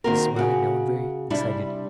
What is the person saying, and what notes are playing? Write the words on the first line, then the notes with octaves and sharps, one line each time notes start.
He was smiling now and very excited.
D#3 A#3 C4 F#4 A#4
C#3 F#4
C3 G3 D4 E4